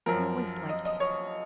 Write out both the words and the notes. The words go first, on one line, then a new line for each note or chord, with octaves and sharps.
I always liked Terry.
F#2 F3 A#4
D#5
D#5
C#5